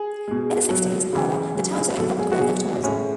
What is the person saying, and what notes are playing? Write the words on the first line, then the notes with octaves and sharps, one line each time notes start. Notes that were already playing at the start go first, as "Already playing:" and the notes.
In the sixties, however the town saw a rapid growth of tourism.
Already playing: G#4
B2 G#3
B2 F#3
C#3 E3 G#3
C#3 F#3
G#4
B2 F#3 A4
G#4
F#4
B2 F#3 G#4
A2 G#3 C#4